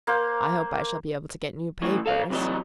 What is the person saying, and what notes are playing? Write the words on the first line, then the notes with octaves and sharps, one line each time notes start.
I hope I shall be able to get new papers.'
A#3 A#4 C5 F5
A2 E3 E4
A4 F5
C3 E3 F#3 D#5